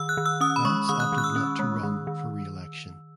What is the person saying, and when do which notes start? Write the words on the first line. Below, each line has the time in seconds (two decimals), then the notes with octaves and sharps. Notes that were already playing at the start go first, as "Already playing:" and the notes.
Vance opted not to run for reelection.
Already playing: D#3 E6
0.09 F#6
0.17 D#3
0.26 E6
0.41 C#4 D#6
0.56 B5
0.65 G#3 C#6
0.89 D#3 D#6
1.00 F#6
1.12 D#3
1.18 F#6
1.24 E6
1.36 C#4
1.59 G#3
1.83 D#3
2.07 D#3